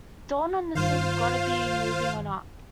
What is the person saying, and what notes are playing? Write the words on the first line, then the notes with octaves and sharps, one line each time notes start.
Dawn on the single "Gotta Be Movin' On Up".
G2 D#3 F4 C5 F5